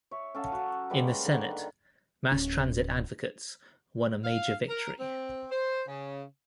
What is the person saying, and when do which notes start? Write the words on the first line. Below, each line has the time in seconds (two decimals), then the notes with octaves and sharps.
In the Senate, mass transit advocates won a major victory.
0.11 C#5 E5
0.35 C#4 A4 F5 F#5
0.52 F#3 F#4
0.90 G3 G#3 A#3 B4
1.24 D3 D#3
2.32 D1 C#4
4.25 F5
4.69 A#4
5.00 C4
5.51 C5
5.88 C#3